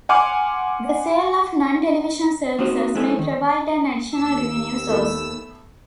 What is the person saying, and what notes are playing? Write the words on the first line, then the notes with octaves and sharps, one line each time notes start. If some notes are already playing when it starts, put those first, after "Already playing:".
The sale of non-television services may provide an additional revenue source.
F#5 G#5 C6 D6 F6
A#3 C4 D#4 F#4 C5
G#3 D4 E4 A4 C5 G#5
D#3
D#2 E6
A3 B3 A4